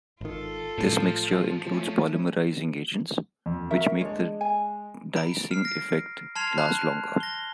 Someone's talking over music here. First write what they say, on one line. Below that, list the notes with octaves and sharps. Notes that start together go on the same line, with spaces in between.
This mixture includes polymerising agents, which make the deicing effect last longer.
G#1 D#3 F4 A4
A2 F3
A3 C#4
F2
F#4 A#4 E5
G#3 D4 C#5
G#5
A#5 B5 D7
F6 C7
A#6 D7
A5 C6 F6 G#6 C7 F7
A5 B5 F#6
A#6 G7